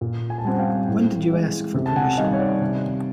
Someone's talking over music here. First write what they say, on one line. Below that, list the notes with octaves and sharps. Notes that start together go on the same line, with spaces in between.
When did you ask for permission?
A#2
G#5
A5
G3 C4 F#5 G#5
F5 G5
A2
E3 G#3
C3
A5
F#5 G#5
D#3 G3 D#5 F5
C#5
D5
C3